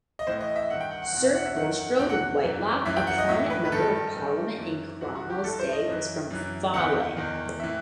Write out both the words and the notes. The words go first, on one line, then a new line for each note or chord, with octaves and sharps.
Sir Bulstrode Whitelocke, a prominent Member of Parliament in Cromwell's day, was from Fawley.
D#5
A2 E3 C5
D#5
E5
G2 D#3 F#5
G5
F#5
F#5
E2 B2 F#5
E5
F#5
E5
F#2 D#3 F#5
F#5
E2 B2 G5
F#5
F#2 E3
F#2 E3 E5
G5
F#5
D#5
A2 E3 E5
B4
B4
G2 D#3 A4
G2 D#3
F#2 E3
G2 E3 F#4
F#4
G4
G2 E3 A4
C5
D#5
F#2 E3
F#2 E3
E2 C3 D#3 F#5
E2 D#3
A2 E3 E5